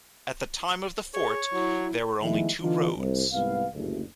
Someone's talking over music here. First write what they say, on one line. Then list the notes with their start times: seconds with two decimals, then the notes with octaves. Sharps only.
At the time of the fort, there were only two roads.
1.14 G#4 C#5 C#6
1.53 F#3 E4
2.22 D#3 F3 G#3 A3 B3 E4
2.62 D3 E3 B3 D4 D#4 F4
2.97 C2
3.33 C2 G#2 B3 F5
3.74 F#1 D2 G2